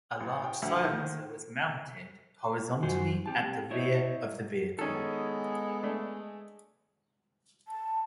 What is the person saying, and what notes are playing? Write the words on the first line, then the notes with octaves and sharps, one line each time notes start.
A large silencer was mounted horizontally at the rear of the vehicle.
A1
G5
D2
D#3
D#3
F#2 F3 F4 F#4 C5 G#5
C4 G4 A5
E4 C5 C#5 D#5 E5
D#3 G#3 B3 C#4 G#4 A4
A3 D4
A5